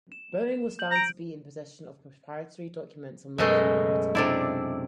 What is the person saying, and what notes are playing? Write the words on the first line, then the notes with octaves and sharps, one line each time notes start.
Boeing was found to be in possession of proprietary documents from Lockheed Martin.
E7
G6 F#7
A#5 G6 D7
F#2 B2 G#3 A3 D#5 E5
C3 D4 E4 D5